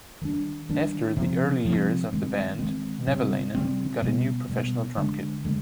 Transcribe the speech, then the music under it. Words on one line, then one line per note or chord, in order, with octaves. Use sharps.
After the early years of the band, Nevalainen got a new professional drum kit.
D#3 G3 D4
D#3 G3 D4
C3 F3 C4
C3 F3 C4
D#3 G#3 C4
D#3 G#3 C4
C3 G3 C4
C3 G3 C4
B2 G3 B3
B2 G3 B3
D3 G#3 D4
D3 G#3